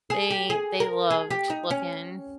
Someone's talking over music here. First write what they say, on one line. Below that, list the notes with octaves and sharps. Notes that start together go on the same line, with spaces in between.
they they loved to looking,
G#4
G4
G#4
A#4
G#4
G4
D#4
C#4